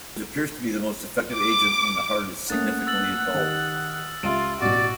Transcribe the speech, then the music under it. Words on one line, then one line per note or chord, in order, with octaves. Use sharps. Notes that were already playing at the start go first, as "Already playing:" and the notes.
It appears to be the most effective agent when the heart is significantly involved.
D6
A3 A#3 C#4 F#5 D#6 A6
E6 A6 F#7
D#3 G4
F6
C#2 F4 G4 E5 D7
A1 B2 F#4 D5